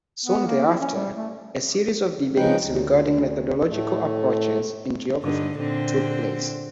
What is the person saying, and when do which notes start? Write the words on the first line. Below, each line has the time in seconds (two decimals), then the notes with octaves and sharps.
Soon thereafter, a series of debates regarding methodological approaches in geography took place.
0.26 B3
0.47 A#3
0.66 E4
0.81 C#4
0.95 G3
1.17 A3
2.37 C#3 F3 G#3 D#4 B4 G5
2.63 D2
3.69 A2 A3
5.22 G2 D3 D#4
5.58 A#2 D3 C4